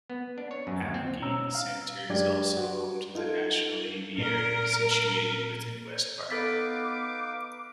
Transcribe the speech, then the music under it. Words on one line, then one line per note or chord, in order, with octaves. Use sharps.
Allegheny Center is also home to the National Aviary, situated within West Park.
B3
D4
C#5
F#2
D#2
C4
B2 C#4 A#5 E6
F5
F#2 G#3 D4 G4 D5 G#6
F#4
D#4 F4 A4
A#2 A#4
B3 D#4 A4 B4 F5 D6 A6 B6